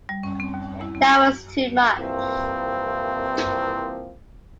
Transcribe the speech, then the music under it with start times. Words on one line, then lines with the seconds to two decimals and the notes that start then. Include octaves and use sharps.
That was too much.
0.09 G3
0.23 C#4
0.40 C4
0.54 D#2
0.81 E4
0.95 C4
1.98 C2 E3 F3 A#3 C4